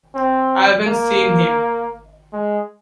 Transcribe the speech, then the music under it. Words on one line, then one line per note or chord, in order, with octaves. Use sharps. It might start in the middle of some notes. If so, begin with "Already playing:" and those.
I haven't seen him.
C4
A#3
G#3